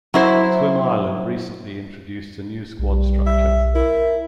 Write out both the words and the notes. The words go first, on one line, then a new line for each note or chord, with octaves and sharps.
Swim Ireland recently introduced a new squad structure.
F#3 E4 C5
B1 G3
E5
E4 A#4